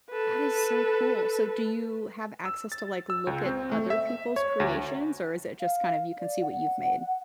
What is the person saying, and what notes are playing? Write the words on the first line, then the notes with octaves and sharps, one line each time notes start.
That is so cool. So do you have access to, like, look at other people's creations, or is it just, kind of, you can see what you've made?
A4 B4
E6
A6
E6
C#2
C4
A3
E5
C#5
D2
F5
D5
F#5